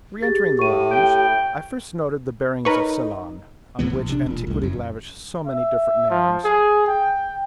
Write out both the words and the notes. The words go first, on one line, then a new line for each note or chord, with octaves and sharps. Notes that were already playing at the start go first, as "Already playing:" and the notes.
Reentering the lounge, I first noted the bearings of Ceylon, on which antiquity lavished so many different names.
G4 G#4 A6
A2 C#6 D#7
G5
D#4 A#4 B4 C#5
D#1 A2 E3 B3
A#1
C3 D4
E1 A#2
C2 A2
F#1 F#2
E5
F3
G#4
G5